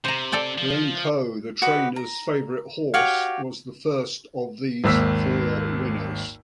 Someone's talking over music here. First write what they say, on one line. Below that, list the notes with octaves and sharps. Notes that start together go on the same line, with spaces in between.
Glencoe, the trainer's favourite horse, was the first of these four winners.
C3 C5 A#5
A4 D5 G5
F3
F#4 G4 B4 D#5
A#5
F#4 G4 C#5 F5
G#1 D#2 E6 B6